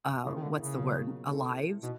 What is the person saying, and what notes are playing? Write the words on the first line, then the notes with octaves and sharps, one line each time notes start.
uh, what's the word? Alive,
C#3 F3 A#3 C#4 E4
D#3
D3
C#3
B2 F#3 A#3 C#4 F4
A3 C4 E4 A4
B2 E3